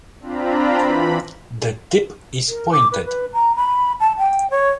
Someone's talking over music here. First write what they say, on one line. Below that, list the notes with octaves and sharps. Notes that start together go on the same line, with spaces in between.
The tip is pointed.
C4 D4 F4 A#5 B5
E3 B5
A#4
D6
B4
B4
A#5
B5
A5
G5
C#5